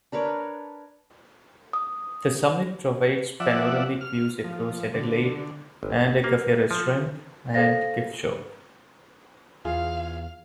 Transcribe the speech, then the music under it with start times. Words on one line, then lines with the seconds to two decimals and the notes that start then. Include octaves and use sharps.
The summit provides panoramic views across Adelaide, and a cafe-restaurant and gift shop.
0.12 D4 A#4 B4 C#5
1.73 D#6
3.40 F3 D5 E5 F#5
4.01 F6
4.44 F3
4.94 D3
5.83 G1
6.24 A#3
6.71 F3
7.54 A4 C5 F5 A#6
9.65 E2 F4 G#4 F5